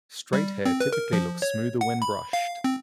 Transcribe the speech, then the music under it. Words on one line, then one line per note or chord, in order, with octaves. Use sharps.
Straight hair typically looks smoother when brushed.
G3
C4
B4
A#4
F3
C#5
F#5
B5
F5
C4